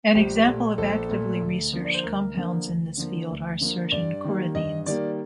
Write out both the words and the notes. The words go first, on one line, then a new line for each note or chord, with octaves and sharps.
An example of actively researched compounds in this field are certain coronenes.
A#1 G4
A#2 A3
A#1 A4
A#2 A3
D2
D3 F3 A#3
D5
C5
D2 A#4
D3 F3 A#3
D2
D3 F3 A#3
D2
D3 F3 A#3
G2 D5
D#3 G3 A#3
G2 D#5
D#3 G3 A#3 D5